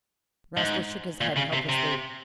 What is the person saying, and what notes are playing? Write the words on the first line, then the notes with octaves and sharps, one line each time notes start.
Roscoe shook his head helplessly.
G#2
A#2
C#3
C3
C3